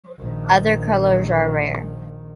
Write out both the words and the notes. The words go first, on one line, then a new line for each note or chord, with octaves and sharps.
Other colors are rare.
A#1 D#3